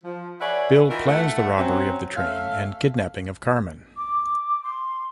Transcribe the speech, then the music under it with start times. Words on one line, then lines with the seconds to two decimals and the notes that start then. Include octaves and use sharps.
Bill plans the robbery of the train and kidnapping of Carmen.
0.04 F3
0.41 G#4 B4 C#5 D5 E5 F#5
0.89 D#3 E3 D#4 F4 F#4 A#4
1.08 A3 F#5
1.58 F#3 C4 C#4
2.16 A3 C#4 E5 F5
3.96 D6
4.64 C6